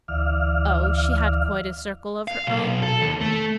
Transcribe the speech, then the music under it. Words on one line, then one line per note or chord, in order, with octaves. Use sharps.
Oh, she had quite a circle of her own.
D2 E3 D5 E5 F5 F6
F5
B1
A4
D#2
A3